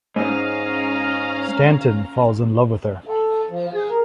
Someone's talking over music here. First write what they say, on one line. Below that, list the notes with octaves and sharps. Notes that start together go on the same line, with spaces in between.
Stanton falls in love with her.
G#2 C#4 D#5 F5 A#5
A4
F3
G#4
A#4